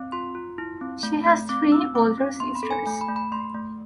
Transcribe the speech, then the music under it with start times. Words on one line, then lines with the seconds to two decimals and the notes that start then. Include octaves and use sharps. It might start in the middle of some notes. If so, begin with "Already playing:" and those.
She has three older sisters.
Already playing: C4
0.12 F4 C6
0.35 F4
0.58 E4
0.81 C4
1.03 A3
1.26 A3
1.49 C4 D6
1.72 C4 E6
1.95 C4 D6
2.18 C4
2.40 B3 C6
2.55 B5
2.63 A4
2.71 G#5
2.86 A3 G#5
3.01 B5
3.08 A3
3.16 B5
3.32 A3 C6
3.54 A3